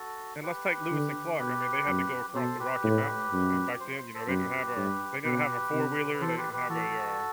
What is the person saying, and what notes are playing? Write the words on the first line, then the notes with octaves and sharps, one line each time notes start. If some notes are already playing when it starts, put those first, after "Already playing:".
And let's take Lewis and Clark, I mean, they had to go across the Rocky Mountains. And back then, you know, they didn't have a they didn't have a four-wheeler. They didn't have a, uh
Already playing: F#4 A4
G4 B4
D3
B2 G4 B4
F#2
B2 A4 C5
G4 B4
A2
F#2
C5
C5
A4 C5
F#2 G4 B4
G2
B2 G4 B4
C3
B4
E3 A4 C5
G4 B4
G4 B4
E3 F#4 A4